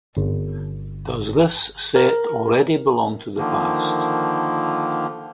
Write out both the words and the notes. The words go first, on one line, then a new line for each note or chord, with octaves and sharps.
Does this set already belong to the past?
G1
A#4
D3 D#3 F3 A#3